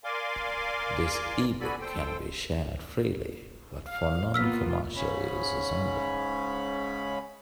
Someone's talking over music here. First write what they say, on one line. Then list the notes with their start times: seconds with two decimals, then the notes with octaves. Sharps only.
This e-book can be shared freely but for non-commercial uses only.
0.04 A#4 D5 F5 G#5 C6 D6
1.60 B3 F#4 A4 D5 G#5 B5
1.80 A4 C5 G5
3.87 F5
4.34 A#3 B3 F4 E6 F6 B6
4.96 G#2 C#3 C#4 B5